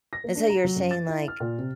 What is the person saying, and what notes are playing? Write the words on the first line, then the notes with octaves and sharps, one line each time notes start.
And so you're saying, like
A#6
A#3
D4
A#5
F#3
F#2
A6
E4
F6
A#2
C3